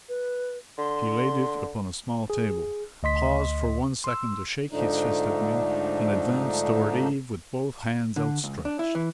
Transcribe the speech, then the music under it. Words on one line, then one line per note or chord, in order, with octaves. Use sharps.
He laid it upon a small table, paused for one second to shake his fist at me, and advanced toward Eve with both hands outstretched.
B4
D3 C6
G#4
D2 D#5 C6 B6
C6 E6
G#2 D3 F3 A3 D4 D#4
D3
C#2
D4
E4
E3